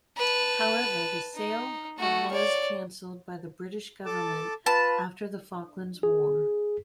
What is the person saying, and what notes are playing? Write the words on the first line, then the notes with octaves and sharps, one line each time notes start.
However, the sale of was cancelled by the British Government after the Falklands War.
B4 A5
D#4
A3 F#4
C#5 D5
A4 A5 D6
F4 B4 A5
G#4